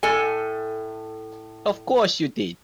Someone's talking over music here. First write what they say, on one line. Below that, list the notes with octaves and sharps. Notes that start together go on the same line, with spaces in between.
Of course you did.
A2 A4 G#5